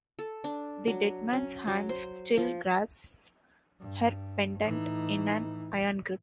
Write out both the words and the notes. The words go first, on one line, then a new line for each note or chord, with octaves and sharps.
The dead man's hand still grasps her pendant in an iron grip!
A4
D4
F#3
C#4
F#3
C5
F3
G2
A2 E3 D#4